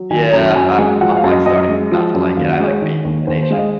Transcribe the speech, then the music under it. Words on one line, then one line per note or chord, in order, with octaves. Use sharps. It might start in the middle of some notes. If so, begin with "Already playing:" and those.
Yeah, I've I'm like starting not to like it, I like being in Asia.
Already playing: F#3
D#3 G#5
F#2 A#5
F#2 G#5
G#3 G#5
F3 F#5
F#5
F5
F#2
D#5
F#2 D#5
G#3
F3
F#2
D#2 F5
F#5
G#3
C#5
D#3
D#2
D#2 C5
C5
G#3 F5
D#5